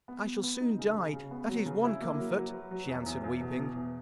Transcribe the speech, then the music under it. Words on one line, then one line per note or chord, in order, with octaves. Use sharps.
'I shall soon die, that is one comfort,' she answered weeping.
B3
B3
B3
D#4
C#3
C#3
C#3
B3
F#3
C#3
E4
A#3
F#3
F#3
B4
F#3
E2
E2
E2
B2
B2
E2